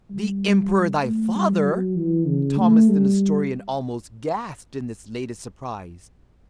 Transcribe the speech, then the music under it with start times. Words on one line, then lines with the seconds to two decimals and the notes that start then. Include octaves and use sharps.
"The emperor thy father!" Thomas the Nestorian almost gasped in this latest surprise.
0.11 G3
1.03 A3
1.35 G3
1.65 F#3
1.96 E3
2.27 C#3
2.58 A3
2.89 G3